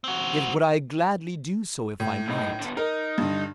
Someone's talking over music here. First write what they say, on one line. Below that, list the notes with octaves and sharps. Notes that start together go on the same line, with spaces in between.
Yet would I gladly do so, if I might.
C4 F#4
A2
F#2 D#4
D3 B3
D#4 A#4
G2 D3